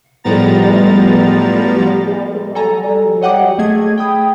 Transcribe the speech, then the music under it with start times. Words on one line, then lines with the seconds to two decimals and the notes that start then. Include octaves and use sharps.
Between Lot and Garonne, there is a plateau carved by many valleys.
0.24 A2 F3 G3 B3 A#5 A6
2.55 A4 G#5 A#5
3.21 C#5 D#5 F#5 G5 D6
3.59 A3 G#4 D#5 G#6
3.98 G5 B5 D#6